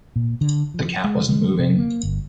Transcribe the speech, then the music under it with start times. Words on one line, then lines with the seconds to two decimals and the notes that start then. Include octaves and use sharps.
The cat wasn’t moving.
0.16 A#2
0.41 D3
0.74 F3
1.04 G#3
1.29 G#3
1.59 C3
1.78 A#3
2.03 G1